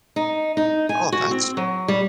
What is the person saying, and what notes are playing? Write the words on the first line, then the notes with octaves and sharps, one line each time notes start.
Oh, that's
D#4
D#4
G#5
F#4
C4
F#3
G3